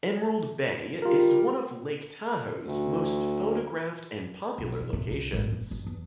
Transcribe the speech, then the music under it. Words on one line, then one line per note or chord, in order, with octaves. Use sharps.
Emerald Bay is one of Lake Tahoe's most photographed and popular locations.
G3 F4 A#4
D2
B1
B2
C3
C2
G#1
G1
G1
E2